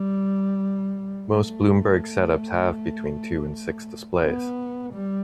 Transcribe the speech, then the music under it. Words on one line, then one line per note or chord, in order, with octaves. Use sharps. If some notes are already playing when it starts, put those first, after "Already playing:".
Most Bloomberg setups have between two and six displays.
Already playing: G3
A3
B3
G3